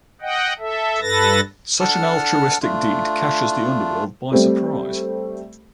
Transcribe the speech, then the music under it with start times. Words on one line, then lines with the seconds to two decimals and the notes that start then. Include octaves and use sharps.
Such an altruistic deed catches the underworld by surprise.
0.22 D#5 F#5 G5
0.59 A4 E5
1.01 G2 A4 B4 A6 A#6
1.80 D4 A4 F#5 A5 F6
2.62 A3 D4 F4
4.32 G3 A3 C4